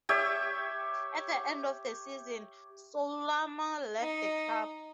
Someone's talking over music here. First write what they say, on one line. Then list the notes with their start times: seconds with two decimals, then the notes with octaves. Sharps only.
At the end of the season Soulama left the club.
0.09 G4 C#5 E5 G5
3.99 D#4